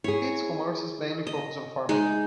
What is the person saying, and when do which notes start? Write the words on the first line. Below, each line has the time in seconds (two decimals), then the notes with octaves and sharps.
Peetz's commerce mainly is focused on farming.
0.04 E4 G#4 C#5
1.27 D#5
1.89 G#3 D#4